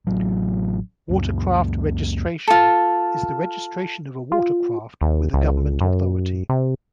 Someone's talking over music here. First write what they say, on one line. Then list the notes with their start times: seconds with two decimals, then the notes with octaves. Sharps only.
Watercraft registration is the registration of a watercraft with a government authority.
0.07 A1 F#3
1.09 C#2 F#2
2.48 F4 A4
4.32 F4
5.01 D#2
5.33 C#2
5.81 F#2
6.49 C3